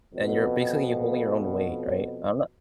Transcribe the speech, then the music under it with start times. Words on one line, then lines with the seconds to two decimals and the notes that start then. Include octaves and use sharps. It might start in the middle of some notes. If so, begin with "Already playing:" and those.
and you're basically holding your own weight, right? I'm not
0.14 F2 B2